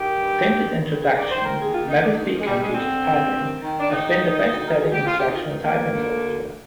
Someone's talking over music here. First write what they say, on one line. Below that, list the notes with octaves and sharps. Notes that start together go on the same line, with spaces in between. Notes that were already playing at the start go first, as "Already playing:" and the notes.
Since its introduction, Mavis Beacon Teaches Typing has been the best-selling instructional typing software.
Already playing: D#3 G4
G2
D#3
G2
D#3 G#4
D5
D#3 C5
A#4
D#2 G#4
F4
D#2 D#4
D4
G2 D#4
F3
G#3
G2 G3
G#3
D3 C4
G2
D#3
D#3
D4
D#3 D#4
D#3
D2
A#4
D2 G#4
G4
D2 F4
G4
D#4
D#3 F4
D#4
D2 A#3
D3
D2